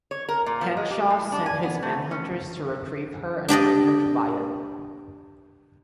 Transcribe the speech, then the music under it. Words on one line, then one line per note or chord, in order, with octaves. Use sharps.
Henshaw sent his Manhunters to retrieve her and bring her to Biot.
C#5
A#4
A#2
F3
G#3
G4
A2
D4
G#5
B3
A3
C#4
D4 G4 D5 D#5